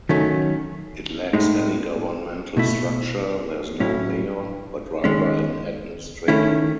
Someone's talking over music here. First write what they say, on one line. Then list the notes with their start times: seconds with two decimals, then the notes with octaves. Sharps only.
It lacks any governmental structure; there is no mayor but rather an "administrator".
0.09 D#3 F#3 A3 C#4
1.33 A2 G#3 D#4
2.57 B2 A3 E4
3.80 A2 F#3 C#4 E4
5.04 D#3 G#3 C#4
6.28 D#3 A3 C#4 E4